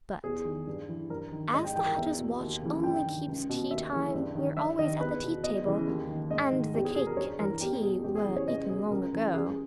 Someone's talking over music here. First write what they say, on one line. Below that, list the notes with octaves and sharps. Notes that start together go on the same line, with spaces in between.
"But as the Hatter's watch only keeps tea-time we're always at the tea table, and the cake and tea were eaten long ago."
E2 G#4
D#3
G2
E3
G2 A#4
D#3
G#2 D#5
G5
E3 G5
A#4
E2 E5
B2
D#2
C#3 E3
G2 G5
D#3
C#2
B2
D#2 E5
C#3 E3
G2
D#3
G2 E5
D#3 D#5
E2 B4
B2
E2 D#5
C#3 E3
D#2
D#3
G#2 D#5
D#3
E2 G4
G#4
B2 G#4
A#4
G2 C#5
E3 A#4
E2 G4
B2 G#4
E2 G4
G#4
C#3 E3
C#5
C#2 D#5
B2 G#4
C#2 A#4
C#3 E3
C#2 G#4